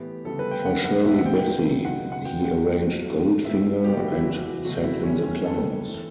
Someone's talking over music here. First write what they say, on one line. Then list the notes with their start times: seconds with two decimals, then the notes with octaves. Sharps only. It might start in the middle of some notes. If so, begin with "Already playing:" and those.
For Shirley Bassey, he arranged "Goldfinger" and "Send in the Clowns".
Already playing: A2 E3 B3 G4
0.25 D2 C#3 G3 B3 A4
0.39 B4
0.51 G5
0.65 G2 D3 G3 B3 F#5
0.85 F#5
1.04 B2 G3 B3 E5
1.18 F#5
1.26 G5
1.45 C#2 C#3 F#3 A3
1.85 C#2 B2 F#3 F#5
2.12 F#5
2.24 G2 F#3 B3 G5
2.45 F#5
2.65 A2 F#3 A3
3.05 E2 D3 A3
3.44 A2 G3 B3 E5
3.84 F#2 D3 F#3 B3 G4
3.97 F#4
4.12 E4
4.24 C#2 C#3 E3 F#4
4.65 C#2 B2 F#3 A3 F#4
4.84 E4
5.04 F#2 C#3 E3 G3 B3 C#4
5.24 C#4
5.44 G2 D3 G3 B3 A4
5.84 A2 E3 A3